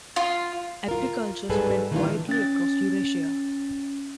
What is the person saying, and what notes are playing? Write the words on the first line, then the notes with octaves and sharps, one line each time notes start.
Agriculture spread widely across Eurasia.
F4
F4 A#4
G#2 G3 G#4 A4 B4
D#3 E3 A#3 B3 D4 F4
C#4 A6